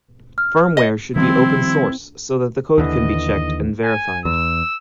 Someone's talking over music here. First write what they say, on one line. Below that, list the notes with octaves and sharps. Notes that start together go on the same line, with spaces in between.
Firmware should be open-source so that the code can be checked and verified.
F6
D#5
D#3 F3 G3 C4 E4
D#2 D3 E3 D#5
G#5
E2 E6